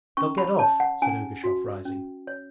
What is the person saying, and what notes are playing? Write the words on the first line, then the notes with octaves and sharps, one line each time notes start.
They'll get off,' said Ergushov, rising.
C#4 C#6
B5
C#5 A5
F#5
C#4 G#5
F#4
C#4
C#5